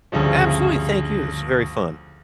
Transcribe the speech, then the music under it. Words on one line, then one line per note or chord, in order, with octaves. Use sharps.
Absolutely, thank you. This was very fun.
D2 G2 C#3 F3